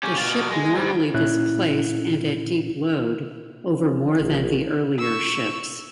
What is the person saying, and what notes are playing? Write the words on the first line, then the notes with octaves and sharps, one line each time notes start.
The ship normally displaced and at deep load, over more than the earlier ships.
C#4 G4
B2 F4
G#3
G#2 G3
A#2 C#4 E4 F#6
F3 C#4
A#1
C#6 E6